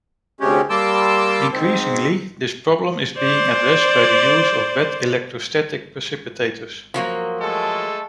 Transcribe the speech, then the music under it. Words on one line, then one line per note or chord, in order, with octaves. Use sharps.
Increasingly, this problem is being addressed by the use of wet electrostatic precipitators.
D2 C3 G#3 C#4 G4
G3 A#3 A5 C6 D6 E6
G#2 C4
C5 D5
F3 F#3 A#3
G#3 A3 A4